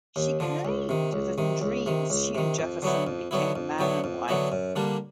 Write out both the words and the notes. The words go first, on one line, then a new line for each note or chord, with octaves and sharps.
She claimed that in dreams, she and Jefferson became man and wife.
D#2
D3 F3
C#2
C3 D#3
C#2
C3 D#3
C#2
C3 D#3
C#2
C3 D#3
F2
D3 F#3 B3 E4
F2
D3 F#3 B3 E4
F2
D3 F#3 B3 E4
F2
D3 F#3 B3 E4
F#2
D3 G3 A#3 D4